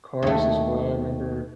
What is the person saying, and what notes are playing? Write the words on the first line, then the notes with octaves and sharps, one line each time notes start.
Cars as well, I remember,
D#2 A3